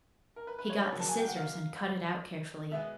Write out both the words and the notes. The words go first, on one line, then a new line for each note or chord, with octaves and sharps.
He got the scissors and cut it out carefully.
A#4
B4
B4
C#5
C#5
C#3 F#3 A#3
A5
G#5
G5
F#5
F5
B2 G#3 B3 E5